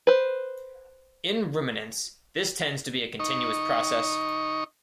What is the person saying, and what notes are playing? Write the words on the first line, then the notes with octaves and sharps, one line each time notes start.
In ruminants, this tends to be a continuous process.
B4 C5
D#4 C#6